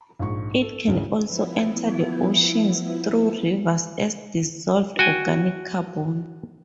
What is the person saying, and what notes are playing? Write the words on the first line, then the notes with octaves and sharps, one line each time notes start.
It can also enter the oceans through rivers as dissolved organic carbon.
A#1 G#2 C#6
A4
G#1 D2 C#3 E3
F3 B3 E4
F#4 G5 G#5